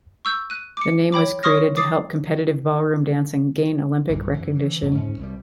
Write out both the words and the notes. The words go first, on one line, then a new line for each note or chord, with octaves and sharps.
The name was created to help competitive ballroom dancing gain Olympic recognition.
C#6 E6 G6
F#6 D#7
D6 C#7
C#5 G5 B5 D6
C#5 C6 C#6 D#6 F6 A#6
D6 D#6 A6 C7
B1 G2 A#2 D3
F#2 E3
E3
F2 B2
G#2 C#4
C2 B2 F#3 G3